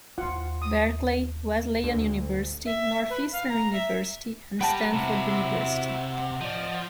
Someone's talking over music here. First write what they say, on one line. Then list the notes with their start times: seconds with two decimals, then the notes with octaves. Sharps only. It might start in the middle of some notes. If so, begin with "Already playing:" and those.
Berkeley, Wesleyan University, Northeastern University, and Stanford University.
0.18 D#2 A#3 F4 F#5
0.62 D#6
1.84 D2
2.66 E5
3.10 B4
3.32 F5
3.49 A#5
3.73 E5
4.61 G3 B4 F#5 G5 A5 A#5
4.93 C3 E4 F#4
6.41 F3 D5 D#5